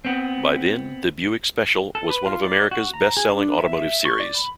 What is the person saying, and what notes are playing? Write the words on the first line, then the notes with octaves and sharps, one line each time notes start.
By then, the Buick Special was one of America's best selling automotive series.
B3 C4
A4
B4
F4
D5
F#4
A#5
G#4
D4
E5
C#6
D5
B5